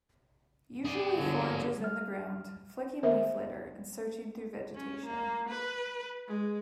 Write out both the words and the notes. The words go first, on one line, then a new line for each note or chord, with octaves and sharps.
Usually forages in the ground, flicking leaf litter and searching through vegetation.
G#4 D5
G1 D3 F#3
G3 F6
D#3 B3 A#4 C5 E5
C#4
A#3
B4
G#3